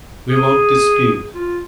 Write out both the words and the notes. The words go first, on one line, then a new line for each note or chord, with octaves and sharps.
We won't dispute.
G#4
F4